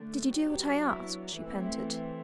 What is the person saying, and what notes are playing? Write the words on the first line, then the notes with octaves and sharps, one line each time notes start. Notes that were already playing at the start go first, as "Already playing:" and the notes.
"Did you do what I asked?" she panted.
Already playing: D3 A3 D4
F#3 B3 D4 G4
E4
E3 A3 C4 E4